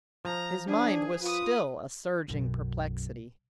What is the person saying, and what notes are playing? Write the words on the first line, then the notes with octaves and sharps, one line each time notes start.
His mind was still a surging perplexity.
F3 A#5
D4 G#4
F4 B4 D#6
B1 F#2